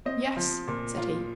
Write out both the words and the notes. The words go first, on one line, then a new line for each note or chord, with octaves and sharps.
"Yes," said he.
C4 D#5
F3
A#2
F4